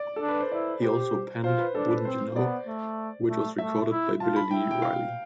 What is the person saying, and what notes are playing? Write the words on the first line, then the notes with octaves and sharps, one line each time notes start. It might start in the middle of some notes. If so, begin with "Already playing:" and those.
He also penned "Wouldn't You Know", which was recorded by Billy Lee Riley.
Already playing: D5
D4 A4
B4
C5
E4 D5
G4 C5
F4 C5
B4
D4 A4
B4
C4 C5
B3 D5
A3
A3
A3 E5
E4
F4 A5
B5
E4 G5
G5
F5